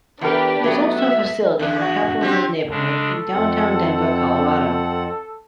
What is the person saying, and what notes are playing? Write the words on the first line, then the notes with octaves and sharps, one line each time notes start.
There is also a facility in the Capitol Hill neighborhood in downtown Denver, Colorado.
E2 D4 F4 G4 A#4 B4
F#3 A3 B3
E5
E2 D4
F#4
D3 C4 G4
C#3 G#3 D4 A4
F2 C4 F#5